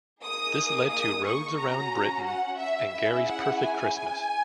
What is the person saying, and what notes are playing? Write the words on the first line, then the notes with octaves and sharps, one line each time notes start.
This led to "Rhodes Around Britain" and "Gary's Perfect Christmas".
A#3 D#4 G#4 D#6
D#6
C#6
C#4 F#4 A#5
F#5
E5
C#4 E4 G#4 E5
F#5
G#5